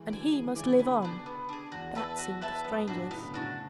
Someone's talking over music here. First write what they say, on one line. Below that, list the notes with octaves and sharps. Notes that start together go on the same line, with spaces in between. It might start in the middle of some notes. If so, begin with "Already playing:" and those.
And he must live on; that seemed the strangest.
Already playing: E3 G#3
D3 F#3 D5 G#5
E3 G#3 G#4
C#3 E3 D5 G#5
B2 D3 B3
D4 G#4
B3
D4 G#4
E2 F#4
B4 E5 A5
F#4
B4 E5 A5
F#2 B3
F#2 A2 D4 F#4
A2 C#3 B3
B2 D3
A2 C#3 D4 F#4